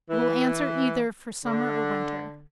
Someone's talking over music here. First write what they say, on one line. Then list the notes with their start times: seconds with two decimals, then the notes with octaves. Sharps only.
It will answer either for summer or winter.
0.10 E3
1.45 D3